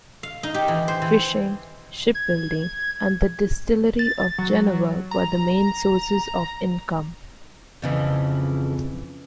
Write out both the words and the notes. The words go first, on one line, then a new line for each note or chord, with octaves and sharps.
Fishing, shipbuilding and the distillery of jenever were the main sources of income.
F5
D#4
G4
E3
C5
E3
G#6
A6
F#3
A#5
F2 C#3 E3